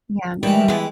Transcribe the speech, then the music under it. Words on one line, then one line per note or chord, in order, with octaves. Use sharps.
Yeah, mhm.
D#3 E3 G3 E5 G5
E3 G#3 B3